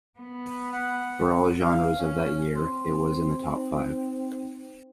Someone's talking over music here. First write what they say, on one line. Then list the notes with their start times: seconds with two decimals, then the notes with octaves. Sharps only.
For all genres of that year, it was in the top five.
0.18 B3
0.72 F#5
1.60 F5
1.97 C#4
2.55 C4 C6
3.50 D#4